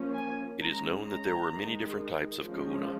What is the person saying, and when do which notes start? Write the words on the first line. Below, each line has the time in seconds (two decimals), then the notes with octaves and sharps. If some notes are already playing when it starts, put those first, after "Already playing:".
It is known that there were many different types of kahuna.
Already playing: F3 A#3 C#4
0.15 G#5
0.60 G#3 C#4 A#5
1.06 A#5
1.52 D#3 G#3 D#4
2.44 F3 G#3 C#4